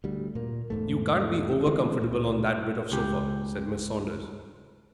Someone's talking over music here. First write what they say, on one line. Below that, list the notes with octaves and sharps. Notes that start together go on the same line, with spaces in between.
"You can't be over-comfortable on that bit of sofa," said Mrs. Saunders.
D2 G3
A#2 A#3
E1 G#2 A3
D3 E3 G#3 C4
C#2 A#2
C#2 G4